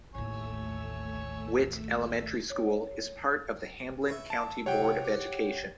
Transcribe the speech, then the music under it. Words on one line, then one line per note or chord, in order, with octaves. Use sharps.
Witt Elementary School is part of the Hamblen County Board of Education.
A1 D#2 A3 C#5 G#5 C#6 E6
C#5
B4 C#5 E5
A5
C3 F3 C4 C#5 F#5 G5
G4